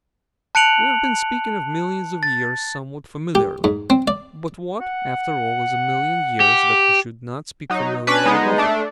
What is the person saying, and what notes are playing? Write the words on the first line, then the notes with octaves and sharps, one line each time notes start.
We have been speaking of millions of years somewhat familiarly; but what, after all, is a million years that we should not speak familiarly of it?
A5 F#6 C#7 D7 F7 F#7
A6
G4
G#2
C4
D5
F#5
G4
F#3 D#4
C#4 D4 B4
G#3 B3 D#4
A3 D4